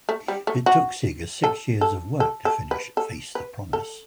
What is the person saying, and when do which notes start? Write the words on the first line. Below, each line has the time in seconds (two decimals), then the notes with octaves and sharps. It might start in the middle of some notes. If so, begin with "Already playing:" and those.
It took Seger six years of work to finish "Face The Promise".
0.09 A3
0.28 G3
0.47 A3
0.66 F#4
1.44 A4
1.81 A4
2.20 A4
2.45 A4
2.71 B4
2.97 A4
3.35 B4
3.73 A4